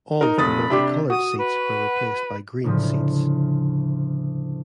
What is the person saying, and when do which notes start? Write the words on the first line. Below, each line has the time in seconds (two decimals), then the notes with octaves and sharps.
All of the multicolored seats were replaced by green seats.
0.21 D#4 A#4
0.38 F1 B5 D#6 A6
0.70 C3 D4 G4
1.10 F#4 D#6
1.38 B4
2.64 D2 A2 C#3 F3